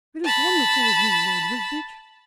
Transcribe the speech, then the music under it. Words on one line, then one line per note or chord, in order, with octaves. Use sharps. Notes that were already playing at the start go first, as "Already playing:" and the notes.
"It is wonderful of you, Lord Wisbeach."
A5 B5